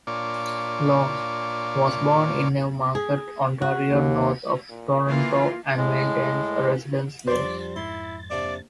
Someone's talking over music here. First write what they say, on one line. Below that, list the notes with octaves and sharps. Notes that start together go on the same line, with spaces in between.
Locke was born in Newmarket, Ontario, north of Toronto, and maintains a residence there.
A#2 D4 F4 C#5 D5
G#4
F#4
D#2
A#2
E3 A#3 F4
A2 G#3
F2 F3 G3 D4 C5 D5 C6 A6
G#2 E4 C6
C3 A#3 D4 D5